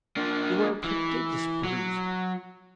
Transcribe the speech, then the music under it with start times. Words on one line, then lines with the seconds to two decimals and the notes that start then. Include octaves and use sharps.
You are a prodigious brute.
0.16 A#3 D4
0.84 E3
1.64 F#3